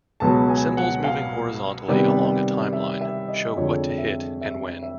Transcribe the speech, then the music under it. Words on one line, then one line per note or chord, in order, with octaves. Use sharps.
Symbols moving horizontally along a timeline show what to hit and when.
C#2 B2 F#3 B3 A5
G#5
F#5
F5
C3 D#3 G3 B3
E5
E5
D#5
F2 D3 F3 G#3 C#5
E5
E5
E5